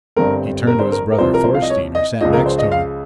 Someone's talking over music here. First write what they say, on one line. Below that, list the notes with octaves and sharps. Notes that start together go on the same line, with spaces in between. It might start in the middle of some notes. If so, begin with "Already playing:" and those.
He turned to his brother Thorstein who sat next to him.
G1 G2 G3 C4 A#4
A#4
C5
A#4
A#4
C2 C3 F3 C5
A#4
C5
F5
D#5
C#5
D#5
C#2 C#3 F3 D#5
A#4
C5
D#5
F5